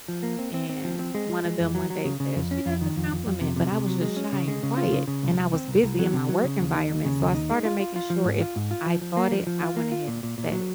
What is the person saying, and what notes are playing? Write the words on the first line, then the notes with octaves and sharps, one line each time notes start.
and one of them one day said, "She doesn't compliment," but I was just shy and quiet, and I was busy in my work environment, so I started making sure, if I thought it, I went ahead and said it,
F3
A#3
C4
C4
C4
F3
C4
G#3
F3
G#3
F2
F#3
F#3
C#3
C#3
F2
C#4
F2
D#3
F2
F2
F2
C3
C3
C3
F#3
G#3
C#4
C#3
G#3
C#3
F4
C#3
C#3
C2
C2
C4
C2
C2
F#3
C3
F#3
C#3
D#2
D#4
D#2
C#3
D#2
D#4
G#3
F4
F4
F4
F3
G#2
F4
G#2
F4
F3
F3
A#3
F3
F3
F4
A#3
F4
A#2
A#2
A#2
F#3